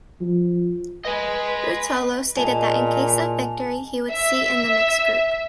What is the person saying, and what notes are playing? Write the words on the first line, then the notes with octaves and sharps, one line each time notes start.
Ruotolo stated that in case of victory he would seat in the Mixed Group.
F3
B4 D#5 G#5
A#2 G#3 G#5 A5 F7
E5